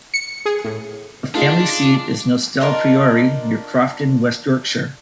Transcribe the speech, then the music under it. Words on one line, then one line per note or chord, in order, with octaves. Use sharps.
The family seat is Nostell Priory, near Crofton, West Yorkshire.
C#7
G#4
A2
D4 D#4 F4 G#4
D4 D#4 F4 A#4